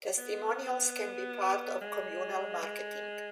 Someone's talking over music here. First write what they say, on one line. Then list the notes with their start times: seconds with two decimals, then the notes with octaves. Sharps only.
Testimonials can be part of communal marketing.
0.18 B3
1.81 G#3
2.62 G#3